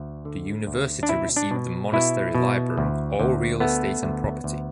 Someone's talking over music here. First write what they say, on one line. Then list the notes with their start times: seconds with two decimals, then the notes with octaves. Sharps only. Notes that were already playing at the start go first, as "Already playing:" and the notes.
The university received the monastery library, all real estate and property.
Already playing: D2
0.25 D3
0.67 D2
1.03 D4
1.09 B2 E4
1.36 D4
1.51 B2
1.92 B2 E4
2.35 B2
2.77 D2
3.19 D2
3.60 A3 B3
4.03 D2
4.44 D2